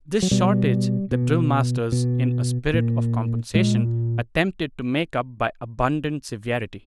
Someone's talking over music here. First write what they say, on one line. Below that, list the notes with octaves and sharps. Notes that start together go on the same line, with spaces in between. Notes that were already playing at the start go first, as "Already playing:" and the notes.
This shortage the drill-masters, in a spirit of compensation, attempted to make up by abundant severity.
F#3
B2 G3
B2
B2
A#2
A#2 G#3